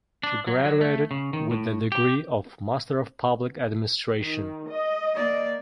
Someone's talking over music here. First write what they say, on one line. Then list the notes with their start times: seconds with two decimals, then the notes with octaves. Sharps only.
She graduated with the degree of Master of Public Administration.
0.23 D4
0.47 F#3
0.65 F#3
0.81 A3
1.11 C#3
1.33 D#3
1.51 A2
1.92 G4
4.20 D#3
4.68 D#5
5.14 A#3 D5